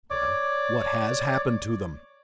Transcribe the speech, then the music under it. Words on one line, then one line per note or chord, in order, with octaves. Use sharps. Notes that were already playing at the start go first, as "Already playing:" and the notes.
"Well, what has happened to them?"
C#5 D5 D6